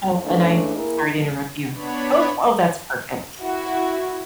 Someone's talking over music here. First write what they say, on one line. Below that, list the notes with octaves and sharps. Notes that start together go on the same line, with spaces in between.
Oh, and I'm sorry to interrupt you. Oh, oh, that's perfect.
G#2 C#3 E3 G#3 A3 D4
A#3 E4 G#4 A#4
B3 D4 C#5 B5
E4 F#4